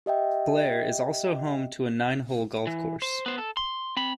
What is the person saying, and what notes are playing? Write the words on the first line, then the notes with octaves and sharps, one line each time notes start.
Blair is also home to a nine-hole golf course.
G4 D#5 E5 G5
E3
C5
B3 C5
A4
C6
C4 B5